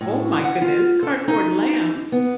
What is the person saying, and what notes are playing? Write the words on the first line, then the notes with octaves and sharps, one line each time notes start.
Oh my goodness, Cardboard Lamb?
A2
F#5
F4
A4
D#4
B3